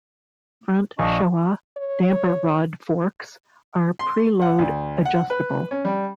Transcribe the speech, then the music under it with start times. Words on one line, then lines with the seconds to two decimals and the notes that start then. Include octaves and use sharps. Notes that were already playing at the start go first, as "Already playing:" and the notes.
Front Showa damper-rod forks are preload adjustable.
0.99 A#1 D4 D#5 C#6
1.77 C#5
3.99 C6
4.42 F#5
4.58 D2
5.05 F#5
5.30 B4
5.71 C#4
5.85 G3